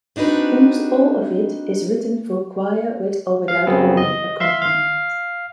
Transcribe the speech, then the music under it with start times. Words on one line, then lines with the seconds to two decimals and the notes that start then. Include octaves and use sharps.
Almost all of it is written for choir with or without organ accompaniment.
0.16 C4 D4 D#4 F#4 B4
3.48 F5
3.67 F#2 C#3 B3 C4
3.97 D#5
4.40 E5 F5 C6
4.62 F5